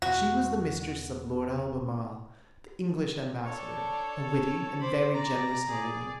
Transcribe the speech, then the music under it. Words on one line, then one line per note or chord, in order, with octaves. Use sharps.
She was the mistress of Lord Albemarle, the English ambassador, a witty and very generous nobleman.
E2 B2 F#4
D4 A4 C#5
C5 B5 D6
D5 A#5
G#4 D5